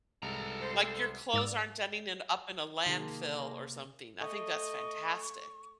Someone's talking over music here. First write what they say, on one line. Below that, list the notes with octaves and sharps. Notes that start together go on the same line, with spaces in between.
Like, your clothes aren't ending in up in a landfill, or something. I think that's fantastic.
C2 G#3 A4 A#5
C5
G#2 D5 E6
C3 D#3 A#3 G#4 A5 C6
A3 D#5 C#6